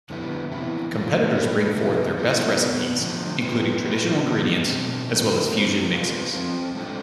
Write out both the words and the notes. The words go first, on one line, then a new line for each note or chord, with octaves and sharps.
Competitors bring forth their best recipes including traditional ingredients as well as fusion mixes.
F2 D3 G3 B3 E4
C3 E3 B3 E4
E3 A3 D4 F4
G3 D4 G4 B4
C3 F3 B3 F4
A2 G3 C4 E4 A4
C3 G3 B3
D3 F3 A3
G3 B3 F4 B4
A2 G3 B3 E4 B4
E3 B3 D4
B2 A3 C4
F2 D3 A3 C4
G3 C4 E4 A4 C5
E2 C3 F3 B3 F4
F3 C4 F4 A4
G3 D4 A4 C5